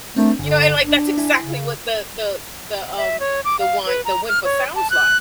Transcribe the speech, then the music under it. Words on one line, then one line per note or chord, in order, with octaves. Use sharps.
You know? And, like, that's exactly what the the the, um, the whine the whimper sounds like.
A3 C4 D4 A#4
G1 D3
D4
E4 G#5
C#3
E5
C#5
D6
F5
B4
A#5
F6
C#5
A5
F#6